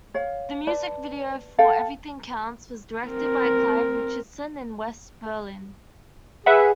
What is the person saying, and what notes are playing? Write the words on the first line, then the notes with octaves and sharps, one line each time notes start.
The music video for "Everything Counts" was directed by Clive Richardson in West Berlin.
C#5 F5
B4 D5 A5
A4 F5 G5
C4 A#4
G#4 B4 E5 F#5